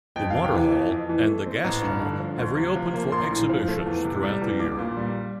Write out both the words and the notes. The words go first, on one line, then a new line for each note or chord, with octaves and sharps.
The Waterhall and the Gas Hall have reopened for exhibitions throughout the year.
F2 G5
C3 F5
G5
E3
F2
F2
E3
A3
C4
A1 A#5
G2
D3
F3
D2
C3
F3
A#3
A#1 C6
A2
F3
A3
E2
C3
G3
E2
A#1 D6
A#2
G3